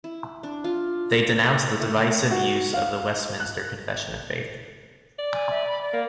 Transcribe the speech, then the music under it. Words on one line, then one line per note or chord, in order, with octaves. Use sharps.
They denounced the divisive use of the Westminster Confession of Faith.
E4
D4
F4
A3
F#4
F5
F#6
D5
G#5
E5
B5
D5
A#3